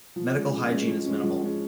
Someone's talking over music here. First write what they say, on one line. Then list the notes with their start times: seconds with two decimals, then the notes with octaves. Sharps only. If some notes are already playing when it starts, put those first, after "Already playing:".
Medical hygiene is minimal.
0.16 F3
0.34 G#3 C#4
0.52 F3
0.70 G#3 C#4
0.87 F3
1.06 G#3 C#4
1.23 F3
1.41 G#3 C#4